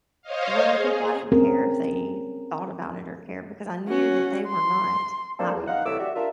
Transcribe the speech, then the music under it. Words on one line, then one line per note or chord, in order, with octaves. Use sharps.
were people I didn't care if they thought about it or cared because I knew that they were not my people.
C5 C#5 D#5 F5
G#4
C4 C#4 G#4 A#4
C#4 F#4
C6
A#3 C4 D4 A4
E2
D#4 F5 F#5
C2 E3 A3 C#5 D6 E6
F#4 G4 D5 E5
D4 F4 A#4 E5